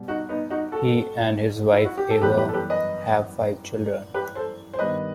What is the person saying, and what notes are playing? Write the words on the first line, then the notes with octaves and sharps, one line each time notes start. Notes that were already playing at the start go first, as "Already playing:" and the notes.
He and his wife Eva have five children.
Already playing: B2 G3
D#4 F#4
B3 D#4
D#4 F#4
F#4 A4
E4
F#4
G4
A4
F#2 E3 G3 B3 G4 B4
G4 B4
A4
G4 B4
B4 D#5
G4 B4
A4 C5
C5
G2 D#3 G3 B3 B4 D#5